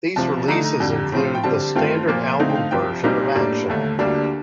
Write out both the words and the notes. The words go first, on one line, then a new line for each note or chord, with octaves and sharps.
These releases include the standard album version of Action.
C2 C3 F3 A5
D3 A3 D#4 A#5
A#5
F2 D3 G3
A2 F3 C4 F4
G5
D3 G3 C4 A5
G2 D#3 A3 C4 F4 G5
A#2 F3 A#3 F4
D3 A3 C4 D#4 F5
G5
F5
C2 C3 F3 G5
C2 A#2 G3 C4 D#4 A#5
A2 G3 A#3 D4
D#2 D3 A3
D2 D3 G3 A#3 D4